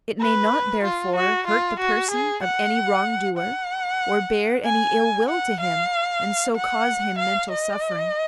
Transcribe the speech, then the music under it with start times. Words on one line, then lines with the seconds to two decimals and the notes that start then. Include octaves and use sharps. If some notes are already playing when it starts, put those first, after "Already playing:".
It may not, therefore, hurt the person of any wrong-doer, or bear any ill-will to him and so cause him mental suffering.
0.21 B4
0.84 F4
1.16 F#4
1.48 F4
1.80 F#4
2.11 G#4
2.43 F#5
3.38 F#5
4.65 G#5
5.29 F#5
5.61 F5
6.56 F#5
7.19 F5
7.52 D#5